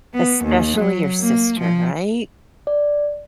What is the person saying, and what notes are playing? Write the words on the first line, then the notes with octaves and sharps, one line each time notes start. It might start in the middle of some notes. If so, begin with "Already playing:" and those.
Especially your sister. Right?
B3
D#2
F#3
A#3
F3
D5